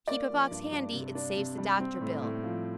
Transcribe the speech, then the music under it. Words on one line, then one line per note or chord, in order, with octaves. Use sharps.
Keep a box handy, it saves the doctor bill.
A#3 D5
F3
G2
G2
C3
D4
C3
G3
C4
A2
A2
F3